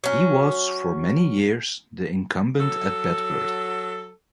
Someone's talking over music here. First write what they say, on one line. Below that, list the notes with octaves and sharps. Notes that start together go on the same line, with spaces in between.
He was for many years the incumbent at Bedworth.
F#3 C#4
F#3 A4